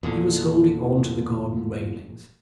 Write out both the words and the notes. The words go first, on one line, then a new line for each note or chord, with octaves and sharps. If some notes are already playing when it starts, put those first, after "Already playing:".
He was holding on to the garden railings.
E2 A#2 D3